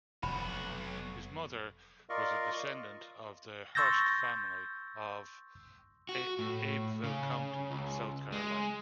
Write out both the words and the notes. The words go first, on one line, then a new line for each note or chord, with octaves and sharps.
His mother was a descendant of the Hearst family of Abbeville County, South Carolina.
F1 B1 F#4 B5
F4 A#4 D5 D#5 F5 C#6
C6 C#6 E6 G6 A6 A#6
F#4
A2
C#3
C#2
G#3